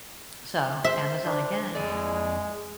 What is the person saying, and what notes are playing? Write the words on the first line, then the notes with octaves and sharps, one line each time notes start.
So, Amazon again.
C5 E5
D4
F2 E3 G#3 D5